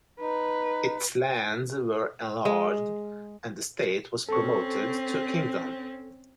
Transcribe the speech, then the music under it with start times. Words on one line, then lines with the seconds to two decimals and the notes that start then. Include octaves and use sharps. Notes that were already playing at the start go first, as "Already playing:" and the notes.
Its lands were enlarged and the state was promoted to a kingdom.
0.21 D#4 B4
2.45 G#3
4.29 C4 C#4 A4 C#6